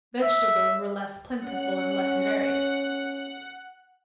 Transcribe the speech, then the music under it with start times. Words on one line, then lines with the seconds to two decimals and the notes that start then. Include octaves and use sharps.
Vegetables were less plentiful and less various.
0.22 E5
1.44 C#4 F#5